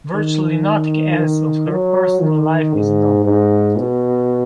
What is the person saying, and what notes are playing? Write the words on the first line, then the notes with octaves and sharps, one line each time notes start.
Virtually nothing else of her personal life is known.
D#3
D#3
F#3
D#3
G#2
G#2
B2